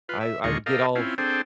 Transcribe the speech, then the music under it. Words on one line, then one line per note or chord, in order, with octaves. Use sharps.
I I would get all
F4 B4
E5
D#2 D3 G#3 F4 D#5 C#6
G4 A4 A#4 D#5 F5
C4 C#4 E4 F4
C4 D4 G#4 A4 C5 G5